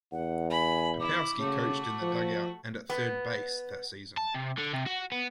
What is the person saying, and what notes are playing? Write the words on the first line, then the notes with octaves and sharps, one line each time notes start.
Popowski coached in the dugout and at third base that season.
E2 F#5
G#5 B5
E4 D6
C#3 A3 F#4
F3
B3
A5
C3
D3
C3
F#4
B3